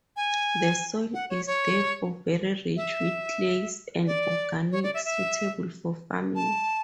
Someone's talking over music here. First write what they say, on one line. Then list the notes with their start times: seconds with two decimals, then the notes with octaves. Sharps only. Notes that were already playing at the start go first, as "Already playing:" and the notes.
The soil is, therefore, very rich with clays and organics, suitable for farming.
0.16 G#5
1.14 F#5
1.30 C#5
1.47 C#5
2.77 E5
4.07 D5
4.72 C#5
4.83 D5
4.94 E5
5.05 E5
6.35 A5